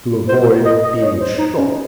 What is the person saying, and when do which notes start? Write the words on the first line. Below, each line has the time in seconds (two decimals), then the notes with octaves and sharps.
"To avoid being shot."
0.29 C5
0.65 D#5
0.84 D#5
1.02 C#5
1.21 C5
1.38 D#4
1.58 C#4